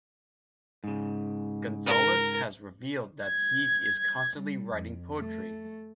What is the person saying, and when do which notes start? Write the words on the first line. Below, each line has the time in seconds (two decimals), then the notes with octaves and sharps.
Gonzales has revealed that he is constantly writing poetry.
0.84 G#2 C#3
1.86 A#4
3.24 G#6
4.37 G3
4.74 F2
5.19 A3